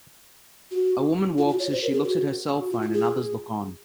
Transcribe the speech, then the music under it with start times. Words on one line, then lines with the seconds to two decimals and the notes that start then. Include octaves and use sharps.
A woman walks as she looks at her cellphone and others look on.
0.71 F#4
1.38 F4
1.49 F#4
1.59 C#5
1.71 C5
1.82 A#4
1.93 G#4
2.04 F#4
2.61 F#4
2.71 F4
2.82 F4
2.93 G#4